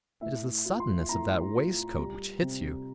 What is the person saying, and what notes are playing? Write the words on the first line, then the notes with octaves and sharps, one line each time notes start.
It is the suddenness of that waistcoat which hits you.
A2 E5
F4
C6
A2 A#5
F4
G3
C3